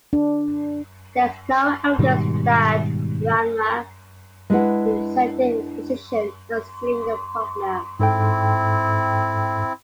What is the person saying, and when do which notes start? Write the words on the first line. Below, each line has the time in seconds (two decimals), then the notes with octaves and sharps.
There is no evidence that Cranmer resented his position as junior partner.
0.13 D4
1.99 G#2 B2 D#3 G3
4.50 G#3 D4 E4 G#4 B4 F#5
8.00 G#2 C4 E4 A4 G5